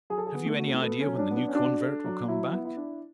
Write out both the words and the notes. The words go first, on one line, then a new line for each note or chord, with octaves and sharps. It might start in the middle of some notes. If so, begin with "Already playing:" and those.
Have you any idea when the new convert will come back?
F#3 G#4
A4
G#4
B3
A3
F#4
A3
B3 A4
C#4
F#3
C#4
D4
B3
D4
C#4
D4 F#4
A4
F#3
F#3 E4
B3
E4
D4